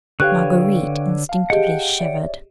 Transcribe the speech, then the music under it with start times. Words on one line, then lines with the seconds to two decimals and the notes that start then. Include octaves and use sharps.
Marguerite instinctively shivered.
0.20 D3 G4 B4 C#5 F5 G5 C#6 F#6
1.29 F5 A5
1.50 G4 G#4 D#5 F#5 G5
2.00 C#5 D5 E5